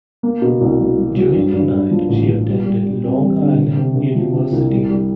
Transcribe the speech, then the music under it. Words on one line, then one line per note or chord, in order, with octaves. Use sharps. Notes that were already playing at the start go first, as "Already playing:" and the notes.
During the night she attended Long Island University.
A#3
B2
C2
F#3
F#3
F#3
G2
G2
G2
F3
A1
F3
G3
G3
G3
C4
G3
D3
C3
C3
C3
F3
C3
C2
G3
G3